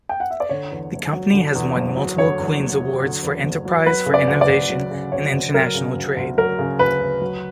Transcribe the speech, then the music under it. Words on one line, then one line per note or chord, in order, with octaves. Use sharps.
The company has won multiple Queen's Awards for Enterprise for innovation and international trade.
G5
F#5
E5
D5
D3 C#5
E2
F#1
F#3
D3
E2
F#1
F#3
D3 C#5
E2
F#1
F#3
D3
E2
F#1
F#3
F#3 B4
C#3
D5
D2
D5
D2
F#3
C#3
D2 C#5
D2
F#3 A#4
C#3
D2
D2
F#3 A#4
C#3
D2 B4
D2
F#3